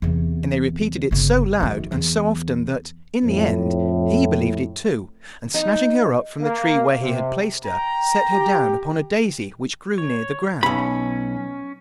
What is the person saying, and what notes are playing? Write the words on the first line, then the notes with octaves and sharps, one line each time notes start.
And they repeated it so loud and so often that, in the end, he believed it too, and snatching her up from the tree where he had placed her, set her down upon a daisy which grew near the ground.
E2 C3
G1 C#3
F#2 D#3
E2
F2 A2
D#4
A#3
C3
G5 A#5
G4
C#5
B1 C#4 B5